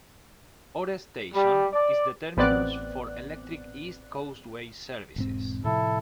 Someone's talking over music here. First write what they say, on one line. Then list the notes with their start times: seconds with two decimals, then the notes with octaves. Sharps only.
Ore station is the terminus for electric East Coastway services.
1.34 G3
1.73 D5
2.37 A1 B3 C4 D5 F#6
5.16 E1 G#2 C4
5.64 A2 C3 F3 E4 A4